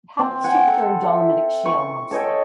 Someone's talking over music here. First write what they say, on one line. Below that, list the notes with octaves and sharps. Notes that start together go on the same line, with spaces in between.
It happens to occur in dolomitic shale mostly.
C4
F#5 G#5
A4
E5
C#6
A4 C#5 D#5 G5